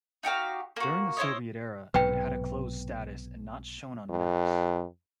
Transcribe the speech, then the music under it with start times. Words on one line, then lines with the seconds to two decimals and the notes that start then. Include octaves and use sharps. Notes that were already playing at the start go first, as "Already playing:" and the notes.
During the Soviet era, it had a closed status and not shown on maps.
0.23 D#4 F#4 G4 F5
0.76 A#3 F#4
1.17 E4 C5 C#5 D#5
1.94 B1 G#2 C3 B4 G5
4.09 F2